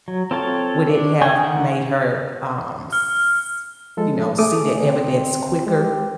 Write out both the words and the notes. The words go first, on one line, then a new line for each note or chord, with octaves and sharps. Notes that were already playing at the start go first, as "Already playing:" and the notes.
would it have made her, um, s you know, see the evidence quicker,
F#3
C4 F4 A4 C#5 A5
D4
G#4 G5 G#5 C#6
D3 D#3 F#5
F6
F3 G#3 A4
A3 G#4 D6 D#6
D3 C4
G#3 G4